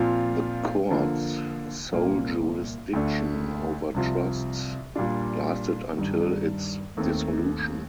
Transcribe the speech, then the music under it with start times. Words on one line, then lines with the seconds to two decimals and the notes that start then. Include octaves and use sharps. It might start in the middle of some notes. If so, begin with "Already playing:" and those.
The court's sole jurisdiction over trusts lasted until its dissolution.
Already playing: A#2 F3 C4 F4
0.91 D3 F3 A#3
1.92 C2 A#2 F3 A#3
2.93 D2 D3 A3 D4
3.94 C2 C3 F3
4.95 A#2 G3 D4 F4
5.97 G2 D#3 G3 D4
6.97 D#2 D#3 A3 C4